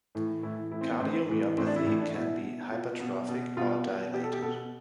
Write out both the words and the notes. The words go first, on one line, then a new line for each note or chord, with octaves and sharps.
Cardiomyopathy can be hypertrophic or dilated.
A2 E3
A2 E3 E4
A2 E3 E4
C4
B3
A2 E3 C4
A2 E3
A2 E3 C4
D4
E4
A2 E3 E4
D4
B2 E4
B2
B2 F4
B2
B2
B2 F4
B2
B2 G4
A4
G4
B2 A4